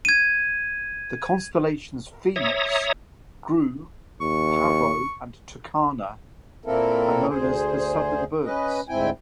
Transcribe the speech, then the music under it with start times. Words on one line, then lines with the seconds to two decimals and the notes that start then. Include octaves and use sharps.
The constellations Phoenix, Grus, Pavo and Tucana, are known as the Southern Birds.
0.05 G#6 D#7
2.36 C#5 E5 A#5 D#6
4.21 D#2 C#6
6.65 A#2 A#3 C4 E4 A4 A#4
7.29 D2 G#4 C5
8.45 C#4 B4 D#5
8.89 D2 G#2 C4 E4 G5 G#5